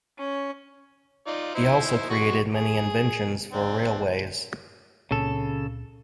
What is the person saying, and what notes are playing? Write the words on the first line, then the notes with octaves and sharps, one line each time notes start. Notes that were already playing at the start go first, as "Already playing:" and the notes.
He also created many inventions for railways.
C#4
D#4 F4 D5
D#4 E4 C5
G#3 F#4 C#6
G#4
C4 D4
C#2 A#2 C#3 C4 A4